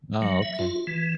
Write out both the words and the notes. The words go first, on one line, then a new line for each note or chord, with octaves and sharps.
Oh, okay.
F#3
E5
F4
E3